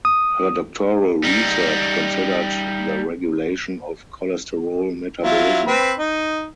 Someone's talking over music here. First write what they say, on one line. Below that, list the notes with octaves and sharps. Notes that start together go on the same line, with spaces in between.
Her doctoral research considered the regulation of cholesterol metabolism.
D#6
G3 D#4
F#3 E4 F4
C4 B4 B5
D#4